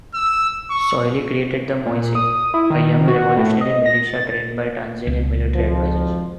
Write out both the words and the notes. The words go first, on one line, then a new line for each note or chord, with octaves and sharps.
Soilih created the 'Moissy', a young revolutionary militia trained by Tanzanian military advisers..
E6
C#6
A#2
D#6
E4
D#3
F#4
A2
D#5
A#6
A6
C#2
G#1 F2 F3